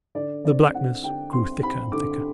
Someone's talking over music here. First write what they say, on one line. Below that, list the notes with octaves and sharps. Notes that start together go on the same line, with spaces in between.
The blackness grew thicker and thicker.
D3 D5
C4 D5
D3 F#5
D3 G5
C4 C6
C4 B5
D3 D6